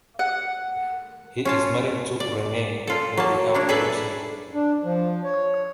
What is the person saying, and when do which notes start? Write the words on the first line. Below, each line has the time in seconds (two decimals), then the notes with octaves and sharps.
He is married to Renee and they have three children.
0.19 F#5
1.45 C#4 F4 A5
2.20 D5
2.87 A#2 F4 A4
3.17 F#3 A#3 A5
3.54 A#3 D4 C#5
3.69 G#4 A4 B4 D5 E5 A5
4.54 D4
4.84 F3
5.24 C#5